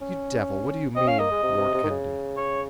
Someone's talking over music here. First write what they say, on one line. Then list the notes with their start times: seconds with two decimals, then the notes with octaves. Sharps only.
"You devil, what do you mean?" roared Kennedy.
0.01 C#4
0.96 C4 D#5
1.07 C#4 F5
1.19 A#3 D#5
1.31 G#3
1.43 C3
1.58 C3
1.74 C3
1.83 D#3
1.90 C#3
2.37 C#5